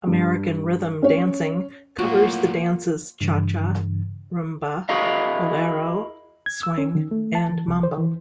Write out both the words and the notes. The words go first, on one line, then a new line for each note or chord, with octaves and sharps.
American Rhythm dancing covers the dances cha cha, rumba, bolero, swing, and mambo.
G2
C#4 C#5
A2 F#3 A#3 F4 F#4
G2 C#3 E3
E4 F#4 G#4 A#4 D#5 F5
G#6
E6
C#4
D#3
A3
A5
E3
C2
C5
E3